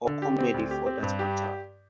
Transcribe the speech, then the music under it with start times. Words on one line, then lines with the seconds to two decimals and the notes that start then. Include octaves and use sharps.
Or comedy for that matter.
0.07 D3
0.22 G4
0.38 C4
0.54 D2
0.71 G4
0.86 C4
1.03 G2
1.19 G4